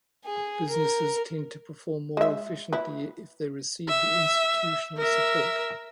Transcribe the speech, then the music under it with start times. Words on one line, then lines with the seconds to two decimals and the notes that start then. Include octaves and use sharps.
Businesses tend to perform more efficiently if they receive the institutional support.
0.25 G#4
0.69 A#4
2.17 G#3 E5
2.73 E4 B4
3.88 E5
4.97 A#4 E5